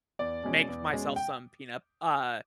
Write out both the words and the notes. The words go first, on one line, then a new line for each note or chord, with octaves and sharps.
make myself some peanut, uh
E2 D5
B2 G#3 C#4
E2
B2 G#3 C#4
G5